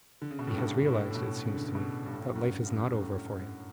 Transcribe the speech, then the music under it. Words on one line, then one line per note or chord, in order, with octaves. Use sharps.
He has realized, it seems to me, that life is not over for him.
D3
C#3
B2
A2
G2
A2
A2
B2
C#3
D3
C#3
B2
G2
A2
G2
F#2
G2
A2